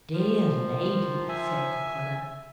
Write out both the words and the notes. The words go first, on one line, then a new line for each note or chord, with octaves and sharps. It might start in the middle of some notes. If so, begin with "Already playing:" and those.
"Dear lady!" said the collar.
D#3 F3
E5 G#5